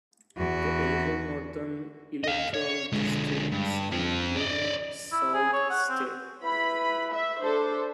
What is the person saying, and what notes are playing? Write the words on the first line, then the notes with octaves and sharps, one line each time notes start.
The eleven northern electoral districts, including Sault Ste.
E2 F#4
D#5 F5
C#5
D3 G#3
G2
F2 F3
D5 D#5
E4
G#4
C#5
F#5
C4
E4 B4 B5
E5
D4 A4 C5